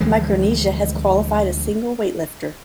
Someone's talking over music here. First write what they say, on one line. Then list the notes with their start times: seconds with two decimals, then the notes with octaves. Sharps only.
Micronesia has qualified a single weightlifter.
0.01 D2 E3 F3 G#3